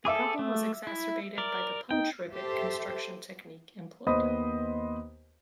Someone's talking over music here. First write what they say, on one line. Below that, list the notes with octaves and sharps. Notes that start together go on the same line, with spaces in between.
The problem was exacerbated by the punch rivet construction technique employed.
G#4 A4 E5 D6 D#6
A3
E4
A#4 D5
D#4 G5
G4 A4 C5 E5
D#2 B3 C5 D#5 B5 D#6